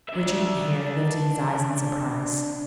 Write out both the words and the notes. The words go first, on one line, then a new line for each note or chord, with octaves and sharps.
Richard Hare lifted his eyes in surprise.
D4 E5